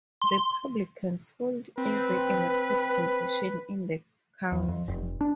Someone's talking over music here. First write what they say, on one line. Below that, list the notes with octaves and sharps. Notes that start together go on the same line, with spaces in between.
Republicans hold every elected position in the county.
C6
C4 B4
E2
F2
F1
D4